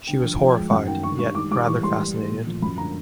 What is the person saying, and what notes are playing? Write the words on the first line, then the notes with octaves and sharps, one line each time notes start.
She was horrified, yet rather fascinated.
D3 G5
F3
F3 G5
G#3
F#2 F#5
D#3 G5
D3 C#6
G3 C#6
D#3 D6
G3 D6
E3 C#6
G3 C6
E3
A3
A#2
F3
F#2 B5
D3 A#5